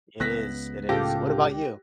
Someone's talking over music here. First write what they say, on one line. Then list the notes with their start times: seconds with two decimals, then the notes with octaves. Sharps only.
It is, it is. What about you?
0.20 C#2 B3 F#6 A#6 B6
0.89 A2 C#3 F4 G4 A4 A#6